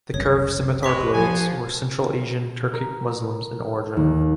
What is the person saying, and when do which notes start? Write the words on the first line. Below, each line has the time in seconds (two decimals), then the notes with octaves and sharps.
The curved scimitar blades were Central Asian Turkic Muslims in origin.
0.14 F#1 C2 C#3 C#5
0.83 G#3 G4 B4 C#6 B6
1.13 F3 B3 G#5
2.73 A#4
3.97 D#2